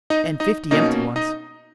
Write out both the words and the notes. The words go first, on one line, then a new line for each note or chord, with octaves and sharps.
"And fifty empty ones."
D#4 D#5
D#4 D#5
B2 A#3 C#4 D#4 D#5
D#4 D#5